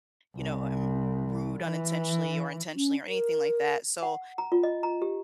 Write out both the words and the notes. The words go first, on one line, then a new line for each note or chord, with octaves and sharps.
you know, I'm rude unintentionally or intentionally or anything like that. So
C2
E3
C#4
A#4
F#5
A#5
F4
D#5
A#5
G4